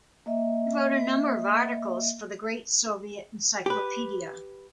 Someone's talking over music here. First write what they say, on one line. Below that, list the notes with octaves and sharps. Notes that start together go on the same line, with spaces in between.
He wrote a number of articles for the Great Soviet Encyclopedia.
A#3 D#5 E5
G4 B4